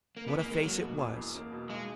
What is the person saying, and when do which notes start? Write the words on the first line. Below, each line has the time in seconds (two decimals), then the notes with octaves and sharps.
What a face it was!
0.17 A#3
0.27 E2 B3
0.39 A#3
0.45 E2
0.51 G#3
0.63 F#3 A#3
0.81 B2
0.98 E2
1.17 E2
1.35 A#3
1.52 B2
1.69 B1 G#3